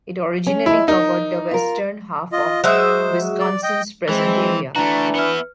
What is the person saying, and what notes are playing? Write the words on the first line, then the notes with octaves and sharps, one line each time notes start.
It originally covered the western half of Wisconsin's present area.
C#4
F3 G#3 E4
D#4 A#4
F4 A#4
F4 D#5
F#3 G#3 C5 E5
D5
D#5 G5
E3 G#3 C4
E3 A3 D4 F#4 A#5
B3 B4 E5 F6